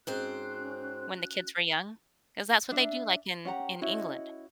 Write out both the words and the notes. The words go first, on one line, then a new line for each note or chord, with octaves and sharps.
when the kids were young, 'cause that's what they do, like, in in England.
G#2 C4 C#4 F#4 C5 F#6
D4 E5
C#4 G4 F#5 A#5
C#4 E4 F#4 D#5